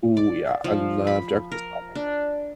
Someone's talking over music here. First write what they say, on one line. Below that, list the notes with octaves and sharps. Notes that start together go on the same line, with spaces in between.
Ooh, yeah, I love dark roast coffee.
D5
F3
B5
A#4
D4